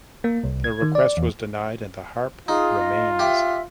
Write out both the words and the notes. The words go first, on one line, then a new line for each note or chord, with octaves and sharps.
The request was denied and the harp remains.
A#3
C2
G#6
D#3
D5
E2
D#4 F4 G#4
D#5
G4 E5